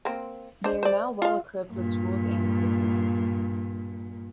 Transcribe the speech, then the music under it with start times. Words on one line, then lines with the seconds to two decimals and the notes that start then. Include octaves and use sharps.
They are now well equipped with tools and personnel.
0.05 A#3 C4
0.64 D4 C5
0.83 C5 D5
1.22 F4 F5
1.70 G2 A#2